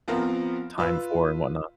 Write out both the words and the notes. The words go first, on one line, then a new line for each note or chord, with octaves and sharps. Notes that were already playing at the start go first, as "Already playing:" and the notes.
time for and whatnot.
F3 B3 C4 F4 A#4
F4 B4 E6